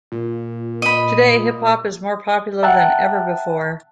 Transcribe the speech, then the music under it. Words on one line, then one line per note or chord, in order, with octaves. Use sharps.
Today, hip hop is more popular than ever before.
A#2
D#5 B5
E5 F#5 G5 A5 A#5 F#6